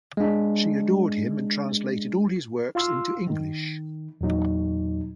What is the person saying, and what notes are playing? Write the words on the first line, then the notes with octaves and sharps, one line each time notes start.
She adored him and translated all his works into English.
G#3 D4
F4 F5 C6 E6
D#3
E2 A#2 F#3 D#4